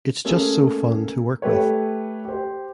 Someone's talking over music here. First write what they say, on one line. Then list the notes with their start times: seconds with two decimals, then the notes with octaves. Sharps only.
It’s just so fun to work with.
0.25 A3 A#3 C#4 G#4 A4
1.42 A3 G4 B4 C#5
2.25 G4 C5